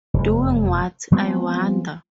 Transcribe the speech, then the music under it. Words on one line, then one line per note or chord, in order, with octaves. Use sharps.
Doing what, I wonder.
F1 E2
F3 G#3 B3 C4